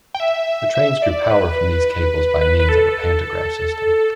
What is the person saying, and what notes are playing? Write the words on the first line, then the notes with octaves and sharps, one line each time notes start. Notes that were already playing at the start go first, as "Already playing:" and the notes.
The trains drew power from these cables by means of a pantograph system.
G5
E5
E5
D5
B4
B4
B4
A4